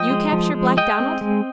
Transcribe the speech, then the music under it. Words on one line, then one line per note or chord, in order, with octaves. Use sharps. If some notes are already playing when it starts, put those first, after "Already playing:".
You capture Black Donald!
Already playing: F3 D#5 G5
G#3
F3
G#3
G#3 D#5 G5
C4
G#3